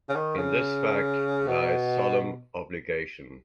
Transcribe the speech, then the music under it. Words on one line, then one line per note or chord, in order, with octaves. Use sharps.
In this fact lies solemn obligation.
C#3
D#3
C#3
B2